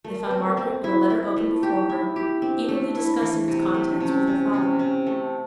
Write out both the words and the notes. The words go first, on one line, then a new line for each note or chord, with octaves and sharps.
They found Margaret with a letter open before her, eagerly discussing its contents with her father.
A3 A#4
B4
C4
A#4
C4
A4
E4 G#4
F4
E4
F#4
A3
F4
D#4 G4
E4
G4
C#4
C4 D4
A3
E4
E3
C3
A3
D4
C3 C#4
C3
C3
C3
A3